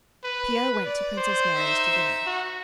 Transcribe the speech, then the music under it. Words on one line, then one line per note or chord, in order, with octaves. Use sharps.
Pierre went to Princess Mary's to dinner.
B4
D5
C5
D#4 E5
F#4